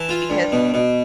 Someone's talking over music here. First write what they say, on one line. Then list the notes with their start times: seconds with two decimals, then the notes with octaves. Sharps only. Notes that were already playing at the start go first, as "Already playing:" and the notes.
because he
Already playing: E3 A5
0.09 F4
0.30 G2
0.52 B2
0.74 B2